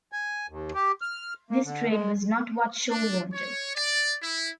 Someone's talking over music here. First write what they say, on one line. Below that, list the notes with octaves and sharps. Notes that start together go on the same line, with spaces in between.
This trade was not what Shaw wanted.
G#5
D#2
G4
F6
A#3
D3
G#3
D4
C#5
D5
E4